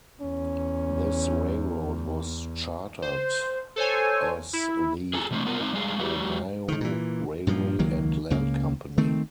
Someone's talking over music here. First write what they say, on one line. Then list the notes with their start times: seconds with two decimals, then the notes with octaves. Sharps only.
This railroad was chartered as the Oahu Railway and Land Company.
0.21 E2 C#4
3.02 C5
3.76 A4 C5 C#5 G#5
4.53 E4
5.13 G#4 A4 G#5 A#5
5.31 C3 E3 A3 A#3 C4 D4
5.45 G3 B3 F4 A#4
5.60 G#3 C4 D#4 D#5
5.73 G3 G#3 G#4 F5
5.99 F#3 G#3 G4
6.68 D3 D#3
6.81 A#2 E3
7.47 G2 A#2 F3
7.79 C#2 D#3 F#3 A#3
8.30 C#2 C#3 A#3
8.98 D#3 A3 C4